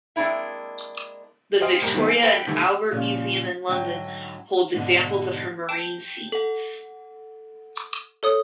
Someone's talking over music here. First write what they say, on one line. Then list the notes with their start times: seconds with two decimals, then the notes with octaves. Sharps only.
The Victoria and Albert Museum in London holds examples of her marine scenes.
0.16 G#3 A#3 C4 D4 E4 E5
1.61 C5 D#5 F5 G5 G#5
1.81 F1 C2 A2 G4 A#4
1.94 D#3 F#3 B3 C4
2.08 G#5
2.23 A4 B4 F#5 G5
2.47 C3 D#3 E3 A3
2.91 A#2 C#3 F3
3.68 G#2 D3 F#3 E4 C5 G5
4.74 G#2 B2 D3
5.69 G5 A5 G6 D7 E7
6.32 A4 F#5 F#7
8.23 A4 C#5 D#6